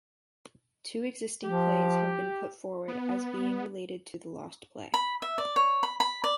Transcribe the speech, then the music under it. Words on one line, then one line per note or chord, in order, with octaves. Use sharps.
Two existing plays have been put forward as being related to the lost play.
F3 G4
B3
B5
E5
D5
C#5
B5
B5
D5